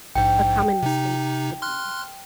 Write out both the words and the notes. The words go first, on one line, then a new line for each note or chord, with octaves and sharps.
a common mistake could be
A#1 G#2 G5
C3 D#4
C6 F6 F#6